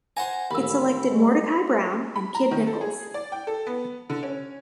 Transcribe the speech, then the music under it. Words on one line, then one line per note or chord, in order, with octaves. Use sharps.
It selected Mordecai Brown and Kid Nichols.
C5 F#5 G#5 A#5
A1 D#2 B5 E6
G3 G#3
B5
A#5
D#3
A4
G#4
D5
G5
A4
B3
D3
C#4